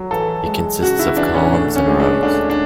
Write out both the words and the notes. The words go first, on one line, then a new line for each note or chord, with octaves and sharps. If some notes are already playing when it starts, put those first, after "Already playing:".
It consists of columns, and rows.
Already playing: F#3
E3 A4
G#3
C#3 F#4
E4
E3 D4
C#4
D2 D4
C#4
G#3
D4
D2 D4
D4